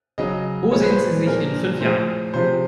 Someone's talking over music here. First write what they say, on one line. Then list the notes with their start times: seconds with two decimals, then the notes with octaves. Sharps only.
Wo sehen Sie sich in fünf Jahren?
0.18 C#3 F#3 D#5
0.72 A#2 F3 G#3 C#5
0.82 B4
0.90 C5
1.27 A#2 F3 G#3 A#4
1.80 A2 F3 G#3 C5
2.34 C3 F3 G#3 C5